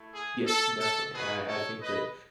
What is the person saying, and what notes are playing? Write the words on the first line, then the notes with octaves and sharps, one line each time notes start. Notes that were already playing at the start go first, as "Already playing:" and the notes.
Yeah. Definitely, and I I think that
Already playing: A3 E4
G#4
A4
A4
G#3 D#4 F#4 G#4 B4
A4 C#5
B4 D#5